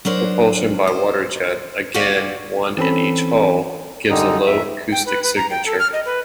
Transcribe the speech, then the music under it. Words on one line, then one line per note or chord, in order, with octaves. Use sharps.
Propulsion by water jet, again one in each hull, gives a low acoustic signature.
F#3 D4 A#4 C5
C5
F#4 G4 D5 F5 F#5
E3 C4 C#4 A4 B5
F#2 D3 G3 D#4
F2 E5
G5
B4
B4
A#5
G5
A4
F6
D#5
B4